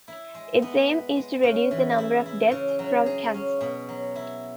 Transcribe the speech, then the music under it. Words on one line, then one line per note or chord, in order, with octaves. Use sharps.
Its aim is to reduce the number of deaths from cancer.
E4
G#3
B3
B4
G#3
C#3
E3
E4
E4
C#3
F#3
G#4
C#4
B2
F#3
E4